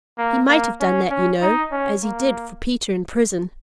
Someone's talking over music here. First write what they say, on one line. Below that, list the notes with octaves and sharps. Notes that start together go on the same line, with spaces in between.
He might have done that, you know, as he did for Peter in prison.
A#3
A#3
C#4
C#4
D#4
C#4
A#3